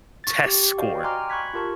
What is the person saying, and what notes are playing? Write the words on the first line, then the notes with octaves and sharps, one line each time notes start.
test score,
C#6 A6
G4
F#4 C5 D5 D#5 F5 G5
G5 G#5 A#5 C6 D6 F6
B5 C#6 F#6 G#6 B6
F4 G4 A#4 A5 C#6